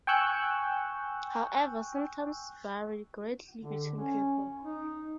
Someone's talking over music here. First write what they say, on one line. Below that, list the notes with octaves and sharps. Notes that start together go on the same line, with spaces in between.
However, symptoms vary greatly between people.
G5 G#5 C#6 E6 F#6 G6
D3
C#4
D#4